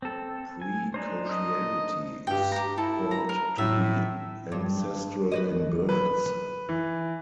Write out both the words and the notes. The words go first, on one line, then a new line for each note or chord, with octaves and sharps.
Precociality is thought to be ancestral in birds.
C4 A4
G#5
D4 D#4 C5
D#5
G2 G4 G5
G4 A#5
E4 A4
A#5
A#4
A2 E5
G2
B4 C5 D#5
B4
E3